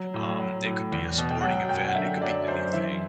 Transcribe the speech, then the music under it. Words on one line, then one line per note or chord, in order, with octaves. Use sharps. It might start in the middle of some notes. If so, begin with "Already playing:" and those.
Um, it could be a sporting event, it could be anything,
Already playing: F#3
A2
F#3
A2
E2
B2
G5
F#3 F#5
G5
F#2 G5
F#5
D3 E5
F#3 D5
F#2 C5
E3 E5